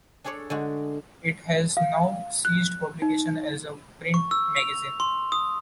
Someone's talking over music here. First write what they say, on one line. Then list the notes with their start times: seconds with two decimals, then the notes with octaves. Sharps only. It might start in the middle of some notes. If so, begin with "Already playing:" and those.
It has now ceased publication as a print magazine.
0.24 D4 G#4 A4 C#5 D5
0.50 D3 G#3 F#4
1.77 F5
2.45 F#6
3.02 D#4
4.14 C#6
4.31 E6
4.56 F7
5.00 C6
5.32 D#6